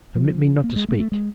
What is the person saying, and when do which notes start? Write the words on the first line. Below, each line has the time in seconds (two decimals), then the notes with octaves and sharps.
Permit me not to speak.
0.15 F3
0.64 A#3
0.76 G#3
0.88 A3
1.00 A3
1.12 G#3